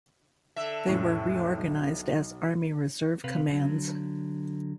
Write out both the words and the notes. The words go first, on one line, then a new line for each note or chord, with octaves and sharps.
They were reorganized as Army Reserve Commands.
D3 E5
F1 A2 C#4
B1
C3 B4 F5
D3 F#3